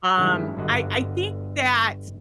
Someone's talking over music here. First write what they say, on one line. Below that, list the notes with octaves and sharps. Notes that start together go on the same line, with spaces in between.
um, I I think that
G2 D#3 F#3 G#3 C#4 E4
G1 D3 F#4 D#5 F#5